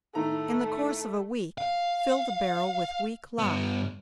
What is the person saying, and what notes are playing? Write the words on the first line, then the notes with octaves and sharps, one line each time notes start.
In the course of a week, fill the barrel with weak lye.
A2 D#3 A3 A#5
F5
G2 B3